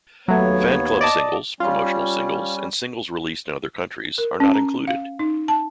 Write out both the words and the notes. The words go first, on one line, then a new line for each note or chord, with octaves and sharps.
Fanclub singles, promotional singles, and singles released in other countries are not included.
D#2 F#3 A3 B3 C#5
D5 D#5 A5
G3 C#4 F4
A#4
C#4
A#5
F5
D#4
A5